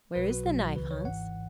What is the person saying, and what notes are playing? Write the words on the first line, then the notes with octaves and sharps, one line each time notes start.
'Where is the knife, Hans?'
B1 B2 F#3 B4
F#4
B1 B2 F#3
C#2 C#3 E3 B4
C#5
G#1 G#2 E3 F#5